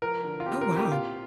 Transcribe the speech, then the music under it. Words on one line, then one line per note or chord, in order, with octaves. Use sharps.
Oh, wow.
F3 A#4
D3
F4
C4 G4
A#4
C4
G4
A#2 F4